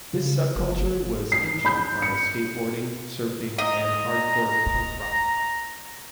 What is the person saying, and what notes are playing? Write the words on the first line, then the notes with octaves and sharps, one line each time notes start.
This subculture was engined by skateboarding, surfing and hardcore punkrock.
C#3
G1
C7
B5 G6
C#7
D#5 A#5